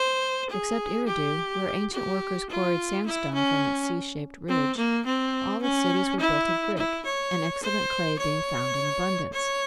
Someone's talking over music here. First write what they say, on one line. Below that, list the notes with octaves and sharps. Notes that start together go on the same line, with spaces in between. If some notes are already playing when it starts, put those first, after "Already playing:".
Except Eridu, where ancient workers quarried sandstone from its sea-shaped ridge, all the cities were built of brick, an excellent clay being found in abundance.
Already playing: C5
G#4
G4
G4
F4
E4
C#4
C4
A#3
C4
C#4
E4
E4
C#5
C5
C#5
C#5